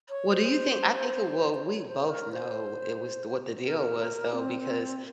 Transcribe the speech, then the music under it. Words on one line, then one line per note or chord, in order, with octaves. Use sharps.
Well, do you think I think it well, we both know it was the what the deal was, though, because
C#5
C5
C5
C#5
C5
A#4
C5
A#4
C4